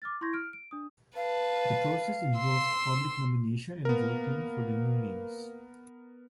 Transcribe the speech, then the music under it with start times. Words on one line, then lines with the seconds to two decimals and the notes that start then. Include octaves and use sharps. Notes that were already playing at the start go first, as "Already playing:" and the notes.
The process involved public nomination and voting for the new names.
0.02 D6 F6 A6
0.21 E4 C6 C#6 G6 G#6 A#6
0.33 F6 D7
0.53 D7
0.71 D4 D#6
1.16 B4 F5 A5
2.38 C6 E6
3.85 A#3 B3 A#4